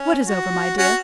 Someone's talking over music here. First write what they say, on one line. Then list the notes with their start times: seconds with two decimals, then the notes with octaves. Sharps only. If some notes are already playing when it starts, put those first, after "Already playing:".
"What is over, my dear?"
Already playing: C#4
0.25 F#4
0.78 C#4 F#4